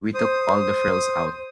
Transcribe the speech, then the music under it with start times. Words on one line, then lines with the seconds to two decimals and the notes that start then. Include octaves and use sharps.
We took all the frills out.
0.14 C5 D#6